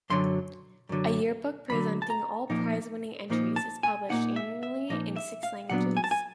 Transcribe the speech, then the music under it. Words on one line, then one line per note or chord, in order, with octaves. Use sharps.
A yearbook presenting all prizewinning entries is published annually in six languages.
F#2 D3 F#3 C6
F#2 D3 F#3
F#2 D3 F#3 B5
A5
A#5
A#2 F3 A#3 D#4
A#2 F3 A#3 D#4
A5
G#5
A#2 F3 A#3 D#4 F#5
E5
E5
A#2 F3 A#3 D#4 D#5
E5
F5
A#2 F#3 B3 D4 F#5
G#5
A5
G#5